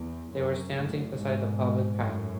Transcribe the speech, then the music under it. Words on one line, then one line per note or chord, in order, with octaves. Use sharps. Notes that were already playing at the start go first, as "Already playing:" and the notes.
They were standing beside the public path.
Already playing: E2
F#2
F#2 A2
G#2 B2
F#2 A2